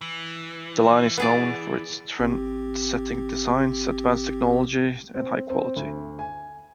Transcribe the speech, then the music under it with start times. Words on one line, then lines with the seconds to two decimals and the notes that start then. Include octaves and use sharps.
The line is known for its trendsetting designs, advanced technology, and high quality.
0.01 E3
1.17 B3 G#4 D5
2.19 G#1 C4 G4
5.15 C4
5.50 C4
5.77 D2
6.19 G#5